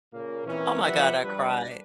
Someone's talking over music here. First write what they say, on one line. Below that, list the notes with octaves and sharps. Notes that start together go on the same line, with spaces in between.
oh my god, I cried.
A#2 C#3 A#3
E3 A#3 C4 C#4
F3 G3 B4 E5 F#5
G3 D4 G4 B4